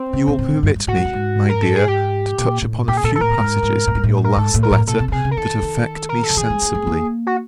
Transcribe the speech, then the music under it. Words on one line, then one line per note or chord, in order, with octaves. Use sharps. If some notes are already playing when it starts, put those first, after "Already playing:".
You will permit me, my dear, to touch upon a few passages in your last letter, that affect me sensibly.
Already playing: C4
C#3
A#2
A2
A2
G2
G2
A2 F#4
G#2
G2
G#2
A#4
A4
G#4
G4
A#2
A2
A#2 G4
G#4
A#2 A4
A4
A2 A#4
G#2
G#2
A2
G#2
A2
A#4
G#2 A4
A2
A#4
A2
A#2 A4
B2
C#3
C3 G#4
C#3
A#4
D#3 A4
D#3
A#4
A4
D#3
E3 G#4
G#3
A3
A3
A#3
F#4